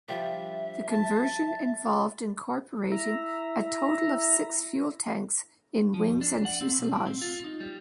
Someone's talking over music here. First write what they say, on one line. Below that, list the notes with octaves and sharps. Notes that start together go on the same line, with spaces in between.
The conversion involved incorporating a total of six fuel tanks in wings and fuselage.
F3 G3 D4 E5
A5
E4 E5 A#5
F3
F2
D4
F#5
C4
B1
A2
C4
F4
D#4
G3